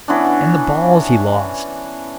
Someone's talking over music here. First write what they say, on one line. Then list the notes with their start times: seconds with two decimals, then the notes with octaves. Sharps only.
And the balls he lost!
0.08 E3 B3 C#4 D4